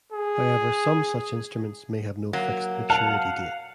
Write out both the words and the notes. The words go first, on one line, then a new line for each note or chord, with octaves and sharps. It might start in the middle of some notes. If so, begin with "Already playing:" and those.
However some such instruments may have no fixed maturity date.
G#4
F#3 A#3
F5 F#5 A5